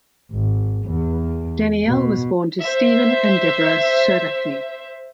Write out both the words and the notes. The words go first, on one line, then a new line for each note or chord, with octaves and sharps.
Danielle was born to Steven and Debra Serdachny.
G#1
E2
B2
C5 E5